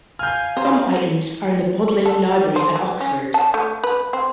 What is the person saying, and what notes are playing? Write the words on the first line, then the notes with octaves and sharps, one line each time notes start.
Some items are in the Bodleian library at Oxford.
F5 G#5 F6 G6
C4 C5 C#5
A4
C5
E3
C#4
A5
A3
B4
C4